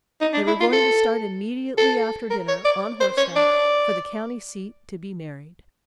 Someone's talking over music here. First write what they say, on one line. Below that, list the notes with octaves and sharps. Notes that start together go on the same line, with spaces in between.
They were going to start immediately after dinner, on horseback, for the county seat, to be married.
D#4
D4
E4
F4
A4
A4
A#4
C#5
D5
C5
C#5
D5